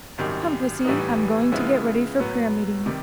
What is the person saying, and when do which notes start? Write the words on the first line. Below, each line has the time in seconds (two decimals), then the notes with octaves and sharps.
Come, pussy, I'm going to get ready for prayer meeting.
0.18 G#1 F#2 D#3 G3
0.85 A2 E3 G3 B3 D#4
1.52 C#3 F3 G#3 B3 E4
2.19 A2 F#3 B3
2.86 C3 D#3 G3